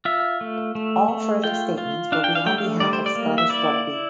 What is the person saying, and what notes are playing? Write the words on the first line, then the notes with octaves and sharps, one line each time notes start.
All further statements will be on behalf of Scottish Rugby.
F4 E5
A3
A3
A3
F4 G5
F4
D4 F5
G5
F5
A3 G5
F5
G3 D5
C5
D5
A#3
E5
E4 D5